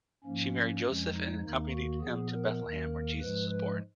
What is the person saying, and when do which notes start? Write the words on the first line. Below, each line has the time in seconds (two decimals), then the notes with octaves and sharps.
She married Joseph and accompanied him to Bethlehem, where Jesus was born.
0.24 G#2 F3 A#3 C#4
0.84 F2 F3 G#3
1.14 D#4
1.42 D#2 D#3 A#3
1.72 F#4
2.01 A#2 F3 B3 G#4
2.31 A#4
2.62 D#2 D#3 A#3
3.20 G#2 F3 G#3 B4
3.49 B4